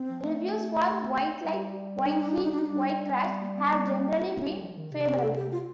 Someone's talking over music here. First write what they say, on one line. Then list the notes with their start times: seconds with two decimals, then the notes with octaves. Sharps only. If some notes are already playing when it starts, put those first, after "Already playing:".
Reviews for "White Light, White Heat, White Trash" have generally been favorable.
Already playing: C4
0.09 F3
0.24 A3
1.44 G3
2.05 D4
2.12 D#4
2.20 D4
2.28 D#4
2.36 D4
2.43 D#4
2.51 D4
2.59 D#4
2.65 G3 D4
3.26 C4
3.41 A#3
3.56 C4
3.71 A#3
3.86 A#3
4.47 G3
4.62 F3
4.77 D#3
4.92 C3
5.06 C4
5.15 G4
5.22 A4
5.37 G4
5.52 F4